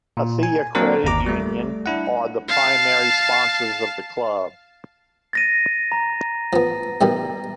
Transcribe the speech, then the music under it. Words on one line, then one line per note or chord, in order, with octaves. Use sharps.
Athea Credit Union are the primary sponsors of the club.
A#2
G#5
F#3 A#3 C4 D4 A#4
G1 D#2 A#5 D6
G3 A3
D4 E4 F#5
F5 A5
A6 A#6 D#7
A#5
F3 B3
B2 D#3 G3